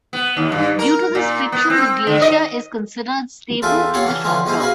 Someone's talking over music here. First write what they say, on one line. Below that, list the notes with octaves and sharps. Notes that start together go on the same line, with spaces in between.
Due to this friction the glacier is considered stable in the short term.
B3
D#2
G2
A#4
A#2
B3
C4
D3
D#5
E2 F4 A4 E5 G5 G#5
G4 A4 C#5 F5 F#5 G#5
E3 C#4 D4
D3 E3 F3 A3 C4 C#4
G#3 B3 C#4 E4 C5
F#4 G#4 B4 F5 G#5 B5